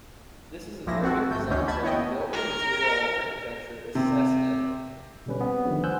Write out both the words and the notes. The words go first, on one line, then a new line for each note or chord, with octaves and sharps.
This is an Arabic design but the building material and architecture is Sassanid.
A#1 A#2 F3 E4 A#6
C4 F#4 A4
G1 A3 G6
D2 D3 E3 C#4 G6
A5 B5 G#6
B3 E4 C#5 D#5 G5
A#4
C3
B2 D3 G3 C#4 B4
B3 C4
D3 D#3 F3 G3 A3 D4
C5 F#5 G#5 E6 F#6 G6